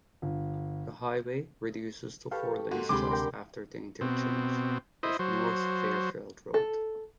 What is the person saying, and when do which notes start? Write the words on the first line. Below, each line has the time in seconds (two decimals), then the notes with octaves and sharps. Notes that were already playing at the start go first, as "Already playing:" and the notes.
The highway reduces to four lanes just after the interchange with North Fairfield Road.
0.22 G1
2.31 G4 A4 B4 C#5 F5
2.71 G#2 A#3 F#4
2.89 D2 C3 G#3 D4 G4 B5 C6 D6
3.10 A#4 G5
4.01 B2 C4
5.03 E4 C5 D#5
5.19 F#3 C5
6.54 A4